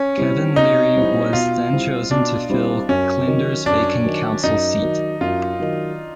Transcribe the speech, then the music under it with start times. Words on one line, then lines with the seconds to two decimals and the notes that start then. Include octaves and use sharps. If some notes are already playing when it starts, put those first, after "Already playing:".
Kevin Leary was then chosen to fill Klinder's vacant council seat.
Already playing: C#4
0.18 G3 C4 E4
0.56 B2 D#4
0.95 G3 C4 E4
1.33 B2 F4
1.72 G3 C4 E4
2.11 B2 D4
2.49 G3 C4 E4
2.89 F#2 C#4
3.27 D#3 F#3
3.66 F#2 D4
4.05 D#3 F#3
4.43 F#2 D#4
4.82 D#3 F#3
5.21 F#2 F4
5.60 D#3 F#3